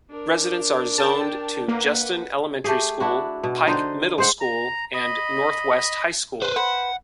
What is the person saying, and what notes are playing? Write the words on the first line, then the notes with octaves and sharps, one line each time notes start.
Residents are zoned to Justin Elementary School, Pike Middle School, and Northwest High School.
D4 A#4
G5 A5
A#3 B4 F#5
A3 G4 G#4
D4 E4 F#4
B2
D3 D#4 C5
G#3 C5 F#5
A#5
D#5 B5
B4 C5
B4 C5 F#5